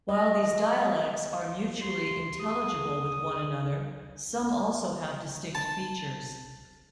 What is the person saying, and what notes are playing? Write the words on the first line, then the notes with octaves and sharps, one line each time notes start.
While these dialects are mutually intelligible with one another, some also have distinct features.
D#5
G4 C6
G#4 D#6
A5